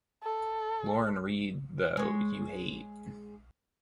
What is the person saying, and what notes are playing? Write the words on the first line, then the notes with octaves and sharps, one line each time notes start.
Lauren Reed, though, you hate.
A4
G#3 C#5